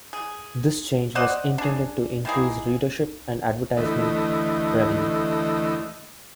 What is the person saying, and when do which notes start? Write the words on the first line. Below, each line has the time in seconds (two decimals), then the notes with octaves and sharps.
This change was intended to increase readership and advertisement revenue.
0.13 G#4
1.15 C5 D5 D#5 F#5
1.58 D4 G#4
2.25 D#3 E3 A#3 G#4
3.77 D2 E3 A3 D#5